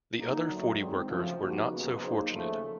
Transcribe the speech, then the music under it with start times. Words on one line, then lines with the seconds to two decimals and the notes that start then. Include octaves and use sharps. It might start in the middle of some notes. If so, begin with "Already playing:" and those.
The other forty workers were not so fortunate.
0.18 F#3 A#3 D#4
0.48 D2 D3 F#3
0.79 D#3 G#3 C4
1.09 D2 C#3 F3
1.39 G3 A#3 D#4 F#4
1.69 D#2 C#3 F#3 B3 D#4
2.00 F#3 A#3 D#4 G#4 C5
2.31 D#2 C#3 F3 A3